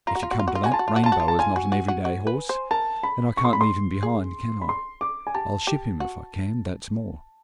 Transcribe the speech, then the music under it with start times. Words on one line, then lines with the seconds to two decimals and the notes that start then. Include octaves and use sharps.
'If you come to that, Rainbow is not an every-day horse, and I can't leave him behind, can I? I'll ship him, if I can, that's more.
0.07 F4 A#5
0.15 F#4
0.23 F4
0.31 F#4
0.39 F4
0.48 F#4
0.55 F4
0.64 F#4 G#5
0.72 F4 A5
0.79 F#4
0.88 F4
0.96 F#4
1.04 F4 A5
1.12 F#4
1.20 F4
1.28 A5
1.39 F4 G#5
1.56 F#4
1.72 F#4
1.88 F#4
2.05 F#4
2.27 B4
2.49 C5
2.71 A#4 A5
3.03 B5
3.37 C#6
3.45 C6
3.53 B5
3.61 C6
4.03 G#4
4.62 B5
4.69 C6
5.01 D6
5.27 G#5
5.34 G4 A5
5.67 G4
6.00 F#4